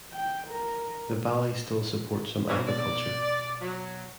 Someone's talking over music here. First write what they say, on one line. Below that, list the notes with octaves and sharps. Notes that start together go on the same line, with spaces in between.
The valleys still support some agriculture.
G5
A#4
G#2 B2 E3 F#4 C#5
D5
F#3